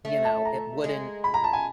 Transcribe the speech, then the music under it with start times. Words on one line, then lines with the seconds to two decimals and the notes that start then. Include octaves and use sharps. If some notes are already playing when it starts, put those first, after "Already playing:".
You know, it wouldn't
0.05 A3
0.25 A5
0.45 A#5
0.84 G#3
1.24 B5
1.34 A#5
1.44 A5
1.53 G#5